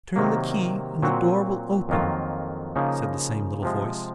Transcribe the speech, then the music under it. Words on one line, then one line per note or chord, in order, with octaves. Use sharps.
"Turn the key and the door will open," said the same little voice.
C3 D#3 F#3 A#3
A#2 F#3 C4 F#4
F2 D#3 F#3 A#3 F4
C#3 F3 A#3 D#4
C3 F3 G#3